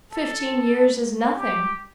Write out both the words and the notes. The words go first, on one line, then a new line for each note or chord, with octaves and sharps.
Fifteen years is nothing.
A4
G4